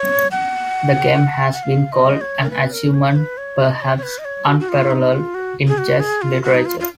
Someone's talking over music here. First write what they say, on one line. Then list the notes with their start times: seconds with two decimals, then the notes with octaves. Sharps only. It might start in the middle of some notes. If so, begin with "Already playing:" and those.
The game has been called an achievement "perhaps unparalleled in chess literature".
Already playing: C#5
0.31 F#5
1.53 F#5
1.63 F5
1.92 D#5
2.21 C#5
2.43 A#4
2.50 B4
2.73 A#4
2.94 C#5
3.10 C#5
3.16 B4
3.37 C#5
3.60 D#5
3.82 C#5
3.98 C#5
4.03 B4
4.18 D#5
4.25 C#5
4.47 F#4
4.60 F#4
4.69 F4
4.91 D#4
5.12 F4
5.34 F#4
5.68 G#4
5.78 F#4
6.00 G#4
6.22 F4
6.43 F#4
6.55 D#4
6.66 F4
6.80 F4